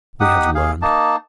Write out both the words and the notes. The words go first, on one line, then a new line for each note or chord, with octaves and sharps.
We have learned.
D#4 G4 F#5 D#6
G#4 F5
A#3 D#4 A5